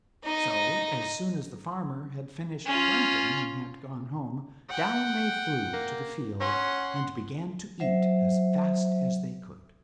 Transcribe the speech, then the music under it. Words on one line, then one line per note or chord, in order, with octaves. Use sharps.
So, as soon as the Farmer had finished planting and had gone home, down they flew to the field, and began to eat as fast as they could.
D#4 D#5
C#4 F4
F#5 G5
A#3
C#4 F#5 C6
F#3 C5 E5